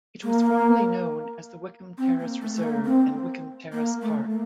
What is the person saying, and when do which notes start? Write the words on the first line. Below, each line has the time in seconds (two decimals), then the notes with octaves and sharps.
It was formerly known as the Wickham Terrace Reserve and Wickham Terrace Park.
0.23 A#3
1.98 C4
2.19 A#3
2.41 A3
2.55 A3
2.63 A#3
2.85 C4
3.72 A#3
4.02 A3
4.30 A#3